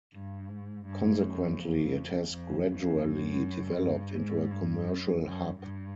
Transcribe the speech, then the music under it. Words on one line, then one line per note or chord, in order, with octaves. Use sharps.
Consequently, it has gradually developed into a commercial hub.
G2
G#2
G2
F#2
F2
F2
F2
F#2
G2
G#2
G2
F#2
F#2
G2